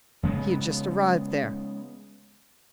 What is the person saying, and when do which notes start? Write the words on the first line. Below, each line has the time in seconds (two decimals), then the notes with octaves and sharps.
He had just arrived there.
0.23 C#3 G#3 A#3 B3